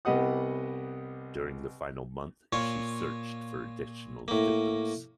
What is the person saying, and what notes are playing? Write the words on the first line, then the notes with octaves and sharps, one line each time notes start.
During the final month she searched for additional victims.
C2 B3 G4 D#5 F#5 D#6
A#2 F4 C#5
A2 A#3